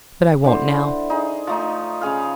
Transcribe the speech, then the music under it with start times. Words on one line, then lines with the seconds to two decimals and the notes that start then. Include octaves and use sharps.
But I won't now.
0.44 D3 E4 C5
1.10 D#4 G#4
1.47 F3 A3 D#4
2.01 C#3 C#4 G#4 F5